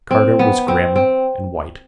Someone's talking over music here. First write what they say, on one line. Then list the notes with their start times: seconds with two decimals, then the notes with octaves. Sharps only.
Carter was grim and white.
0.11 C4
0.39 B3
0.68 C4
0.96 C4